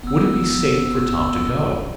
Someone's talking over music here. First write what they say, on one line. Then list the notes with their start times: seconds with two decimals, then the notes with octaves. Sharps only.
Would it be safe for Tom to go?
0.03 F#1 B3 E6